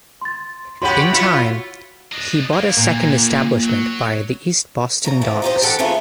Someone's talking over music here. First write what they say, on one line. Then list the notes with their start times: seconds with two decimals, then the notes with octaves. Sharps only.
In time, he bought a second establishment by the East Boston docks.
0.21 C6 A6
0.82 C3 F#4 G4 C#5 F#5 B5 C6
1.13 E4 F4 B6 C#7
2.12 D4 D#5
2.54 D3 A#3
2.77 A#2
3.63 F#3
5.05 F#2 A#2 A#5
5.21 F2 E3 F3 C4
5.42 D#4 F4 G4 A4 C5 D#5
5.61 E3 G4 A4 F#5
5.79 D#3 E3 G#3 A3 F4